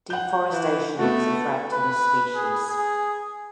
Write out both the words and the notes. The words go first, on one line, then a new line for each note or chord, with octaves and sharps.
Deforestation is a threat to this species.
F#5 G6
E3
A3 B3 F#4
B4
G#4
G#4